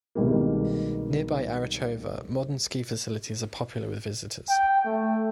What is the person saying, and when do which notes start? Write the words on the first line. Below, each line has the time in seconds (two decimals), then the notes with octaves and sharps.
Nearby Arachova, modern ski facilities are popular with visitors.
0.15 C2 B2 D#3 G3 G#3 A#3
4.49 G5
4.85 A3